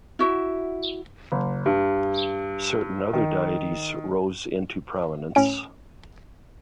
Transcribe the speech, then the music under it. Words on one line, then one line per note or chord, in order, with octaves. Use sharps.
Certain other deities rose into prominence.
E4 F#4 E5
F#1
G2
D#3
A2 C#4 D7